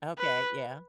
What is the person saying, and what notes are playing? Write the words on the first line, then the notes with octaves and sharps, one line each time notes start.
Okay, yeah.
B4